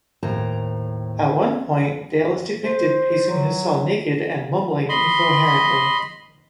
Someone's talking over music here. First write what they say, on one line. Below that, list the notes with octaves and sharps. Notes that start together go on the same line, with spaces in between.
At one point Dale is depicted pacing his cell naked and mumbling incoherently.
D#2 A2 C5 G5 A#5
C5
F#3
D#5 B5 C6